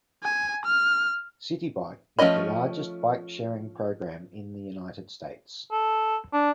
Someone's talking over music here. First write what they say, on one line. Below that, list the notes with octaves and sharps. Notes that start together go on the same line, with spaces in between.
Citi Bike is the largest bike sharing program in the United States.
G#5
F6
F3 A3 C#4 D#5 B5
A4
D4